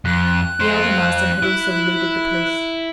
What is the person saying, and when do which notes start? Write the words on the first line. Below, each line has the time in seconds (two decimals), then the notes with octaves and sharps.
The elder Marston had also eluded the police.
0.05 F2 F#6
0.60 C4 F4
1.42 E4